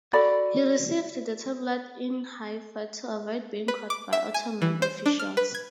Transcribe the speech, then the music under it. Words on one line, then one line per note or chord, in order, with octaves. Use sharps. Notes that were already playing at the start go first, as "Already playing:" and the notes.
He received the tablet in Haifa to avoid being caught by Ottoman officials.
F#4 A4 D5 B5
B4
D6
E5
G#5
E3
C5
D4
F6
B4
G#6